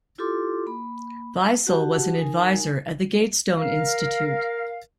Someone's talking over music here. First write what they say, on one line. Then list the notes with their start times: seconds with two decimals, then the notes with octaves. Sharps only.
Wiesel was an adviser at the Gatestone Institute.
0.18 E4 F4 G4 A4 C6 D6
0.66 A#3 B5
1.67 F#4 G4 F#5 A5
2.15 D#4 A#4 G#5
3.58 A#4 F5